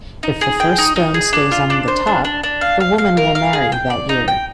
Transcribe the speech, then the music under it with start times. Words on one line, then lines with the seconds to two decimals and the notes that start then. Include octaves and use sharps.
If the first stone stays on the top the woman will marry that year.
0.23 D#4
0.41 G#4
0.60 G5
0.78 D#4
0.96 D#4
1.14 G#4
1.33 D4
1.51 F4
1.70 D4
1.88 C5
2.07 D4
2.25 D4
2.43 D4
2.61 F5
2.80 F5
2.98 F5
3.17 A#4
3.35 F5
3.53 G#4
3.72 G5
3.90 D5
4.09 D#4
4.28 G5